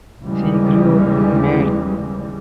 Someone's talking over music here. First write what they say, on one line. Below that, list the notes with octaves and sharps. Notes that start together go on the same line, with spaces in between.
She grew up in Made.
D#2 C#3 E3 G3 G#3